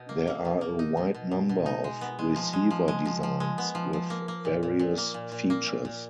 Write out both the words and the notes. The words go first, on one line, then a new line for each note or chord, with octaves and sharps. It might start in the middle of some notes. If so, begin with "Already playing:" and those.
There are a wide number of receiver designs, with various features.
Already playing: B2 D#4
A#3
A#3
B2
A#3
D#4
B2
B2
B2
B2
D#4
G#3
B3
G#3
F3
G#3
F3
G#3
F3
F3
G#3
B3
F3
F3
A#3
A#3
A#2
A#2
A#2
A#3
A#2
A#2
A#3
A#2
A#2